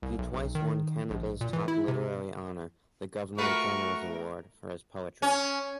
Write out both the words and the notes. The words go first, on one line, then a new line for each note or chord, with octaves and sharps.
He twice won Canada's top literary honor, the Governor General's Award, for his poetry.
C2
B1
B1
D#3
A#1
A#2
E3
E4
C3
A3 F4 F#4 A#4 B4 C#6
C#4